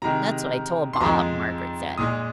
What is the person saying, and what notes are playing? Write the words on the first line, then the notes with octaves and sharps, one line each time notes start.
"That's what I told Bob," Margaret said.
C3 D#3 G#3 A#5
C6
F2 F3 G#3 A#5
A#2 G#3 D#6